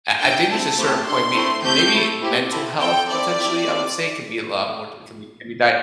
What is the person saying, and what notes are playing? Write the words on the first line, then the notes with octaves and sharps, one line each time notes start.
I I think there's a certain point may maybe mental health potentially, I would say, could be a lot more c can be can be dia
D4 A4 G5
C4 E4 A4 A5
A3 C4 E4 G4
D4 A4 C6
A3 C4 E4
A3 C4 G4 G6
A3 E4 A4
C4 E4 G4
C4 E4 A4
C4 A4 G5
C4 E4 A4 D5
C4 E4 G4
C4 A4